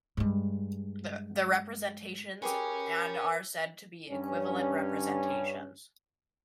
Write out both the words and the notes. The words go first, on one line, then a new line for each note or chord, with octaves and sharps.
The representations and are said to be equivalent representations.
G2 G#3
G4 G#4 A#4 B4 C#5 G#5
G2 C#4